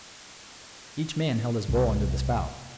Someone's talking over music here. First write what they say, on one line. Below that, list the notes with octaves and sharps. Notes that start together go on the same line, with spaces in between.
Each man held his bowl under the spout.
C2